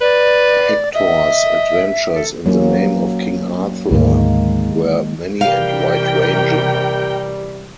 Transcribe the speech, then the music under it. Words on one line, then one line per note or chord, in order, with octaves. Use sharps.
Hector's adventures in the name of King Arthur were many and wide-ranging.
B4 D5
D#5 E5
A4
F#3 A#3 C#4
D2 G#2 D#3 G#3 A#3
C3 E3 G3 A#4 F5 G5